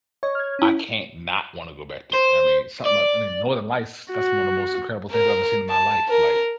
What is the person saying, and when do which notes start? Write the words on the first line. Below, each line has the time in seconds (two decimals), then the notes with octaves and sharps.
I can not want to go back there, I mean, something about, I mean, Northern Lights, that's one of the most incredible things I've ever seen in my life, like,
0.23 C#5 D#5 C#6
0.35 F6 G#6
0.59 C#4 E4
2.13 C5
2.85 D5
4.12 F#4
5.12 A#4
5.70 A5
6.08 A#4